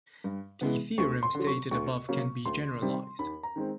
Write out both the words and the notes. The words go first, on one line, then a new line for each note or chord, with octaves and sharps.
The theorem stated above can be generalized.
G2
E3 G#3 B3
D2 C#6
C6
D3 F#3
C#6
D2 C#6
C#3 F#3 A#3
D2 C6
C3 D#3 G3 C4
D#2 B5
A#5
D#3 G#3 C4